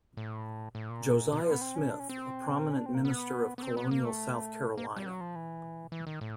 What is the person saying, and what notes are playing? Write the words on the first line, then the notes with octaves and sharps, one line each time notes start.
Josiah Smith, a prominent minister of colonial South Carolina.
A2
A2
A#2
B2
F3
B3
C4
C#4
D4
C#4
C4
C#4
D4
C4
A#3
B3
B3
C4
B3
A#3
A3
A#3
G3
F#3
F3
E3
E3
D#3
A2